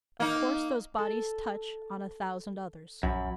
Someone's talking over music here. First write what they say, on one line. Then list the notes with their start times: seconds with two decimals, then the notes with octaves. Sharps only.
Of course those bodies touch on a thousand others.
0.20 A#3 D#4
0.98 A4
3.03 A#1 F#2 B5